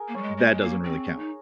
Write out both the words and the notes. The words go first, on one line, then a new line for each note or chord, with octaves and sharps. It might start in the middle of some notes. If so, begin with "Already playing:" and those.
that doesn't really count.
Already playing: G#4 A#4
A#3
G3 C#5
G#3
G#3
G#3
A#3
C4
D#4